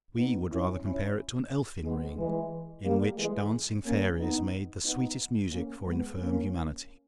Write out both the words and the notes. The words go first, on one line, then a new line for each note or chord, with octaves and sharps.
We would rather compare it to an elfin ring, in which dancing fairies made the sweetest music for infirm humanity.
B3 D#4
C#4 E4
C#4 E4
G#3 B3
E3 G#3
G3 A#3
E3 G#3
A#3 C#4
B3 D#4
B3 D#4
A#3 C#4
G#3 B3
A#3 C#4